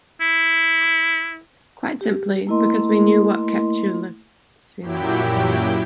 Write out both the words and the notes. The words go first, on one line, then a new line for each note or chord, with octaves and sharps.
Quite simply because we knew what capitulacion would mean.
E4
G4
A3 A#3 E4 A#4 D#5 C6
F#2 A#2 F#3 E4 G4 G5